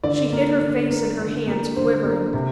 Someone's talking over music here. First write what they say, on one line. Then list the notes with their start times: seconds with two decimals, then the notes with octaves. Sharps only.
She hid her face in her hands, quivering.
0.04 D3 D5
0.32 A#3
0.61 D3
0.90 A#3
1.19 D3
1.47 A#3
1.76 D3 C5
2.05 A#3
2.33 C3